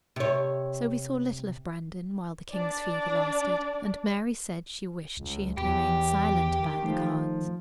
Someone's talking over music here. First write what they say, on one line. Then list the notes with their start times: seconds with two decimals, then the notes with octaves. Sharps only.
So we saw little of Brandon while the king's fever lasted, and Mary said she wished she had remained silent about the cards.
0.16 C3 C#5
2.51 D4 D5
5.17 C#2
5.57 E2 G4 B5
6.60 D#3
6.83 D#3 F3 A3 D#4